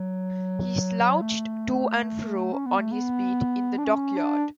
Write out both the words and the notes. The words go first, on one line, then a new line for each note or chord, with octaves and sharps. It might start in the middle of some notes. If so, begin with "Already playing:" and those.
He slouched to and fro on his beat in the dockyard.
Already playing: F#3
A3
C#4
B3
A3
B3
D4
C#4
D4